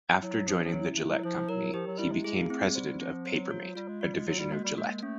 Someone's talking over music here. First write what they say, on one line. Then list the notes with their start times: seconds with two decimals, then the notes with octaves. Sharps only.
After joining the Gillette Company, he became president of Papermate, a division of Gillette.
0.22 F#3 E4
0.47 F3 C#4
0.64 F3
0.72 F#3 E4
0.98 E4
1.07 F#3
1.24 F3 E4
1.49 F#3 A#4
1.73 F3 G4
1.87 F#3
1.99 G3 E4
2.11 G#3
2.24 G#3 G#4
2.37 A#3
2.50 A3 C4
2.63 G#3
2.74 G3 C5
3.00 F3 C4
3.25 F#3 C5
3.51 F4
3.76 G3 F4
3.88 G#3
4.01 G3 F4
4.14 G#3
4.27 F#3 F#4
4.39 G3
4.52 G#3 A#3
4.64 G3
4.77 G#3 A#3
5.03 A3 C#4